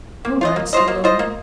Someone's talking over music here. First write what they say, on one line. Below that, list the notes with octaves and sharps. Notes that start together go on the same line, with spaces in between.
"All right," said Logan.
A#3
F4 C5 D#5
A#3
F4 C5 D#5
A#3
F4 C5 D#5
A#3